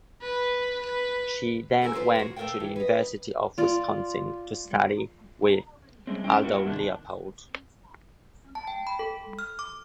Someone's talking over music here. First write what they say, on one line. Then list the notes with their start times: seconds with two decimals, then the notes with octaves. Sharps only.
She then went to the University of Wisconsin to study with Aldo Leopold.
0.22 B4
0.81 B4
1.81 F#4 A4 A#4 G#5
1.93 F4 G4 B4 C5
2.15 A#3 F#4
2.36 A3 A4 A#4 C5 F5 G5
2.60 E3
2.76 B4 D#5
3.58 F4 D5
6.07 G3 G#3 C4
6.24 C#4 E4 C5 G5
6.43 G3 A#3 B3 D4 E4 F#4
6.65 C3 D#3 D4
8.55 A5
8.67 G5
8.87 B5
8.99 A4
9.39 F6
9.59 D6